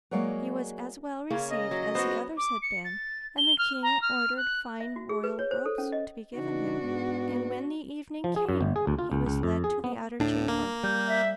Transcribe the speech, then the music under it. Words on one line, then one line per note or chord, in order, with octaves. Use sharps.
He was as well received as the others had been, and the king ordered fine royal robes to be given him; and when the evening came he was led to the outer chamber.
F#3 G#3 A#3 C#5 D5 F5
C#3 A#3 C#4
D#5
F#3
B3 F#4 C5
D6
C#7
A6
G7
F6
A#5
F6
F#6
E5
F#4
G#4
B4
C#5
C5
A4
C#4
D#5
C#3 E3 D4 D#4 F#4
G#2 B3
F3
G#4
F#2
G1
G#4
D2
F4
C#2
C#2
F2
G#4
B3
D1 A2 D4
A#3
G3 G6
E5